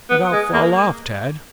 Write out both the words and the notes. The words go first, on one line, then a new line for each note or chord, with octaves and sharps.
"But I'll fall off, Tad."
B3
G#3
A#3